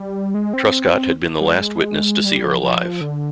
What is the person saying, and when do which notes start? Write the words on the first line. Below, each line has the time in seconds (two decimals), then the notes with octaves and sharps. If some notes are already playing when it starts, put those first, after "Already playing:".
Truscott had been the last witness to see her alive.
Already playing: G3
0.34 G#3
0.53 C4
1.41 G3
1.49 G#3
2.25 G3
2.44 F3
2.63 F3
3.01 D3